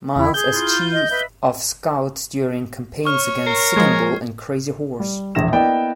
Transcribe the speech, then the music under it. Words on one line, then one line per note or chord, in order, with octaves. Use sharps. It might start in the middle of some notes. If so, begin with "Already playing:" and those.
Miles as chief of scouts during campaigns against Sitting Bull and Crazy Horse.
E2 E4
G#4 G6
E4 F4
D#5
B4 D#5 E5 B5
C#5 C#6 F6
A#4 C7
F3 G#3 G#6
G3
E1 A#1 E5 A#6 E7
A#3 B3 E4 D5 D#5 G5